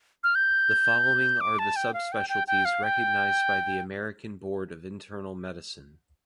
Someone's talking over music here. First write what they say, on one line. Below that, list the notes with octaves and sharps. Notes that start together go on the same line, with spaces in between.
The following are the subspecialties recognized by the American Board of Internal Medicine.
F6
G6
D6
A5
G5
F5
G5
G5
G5
F5
G5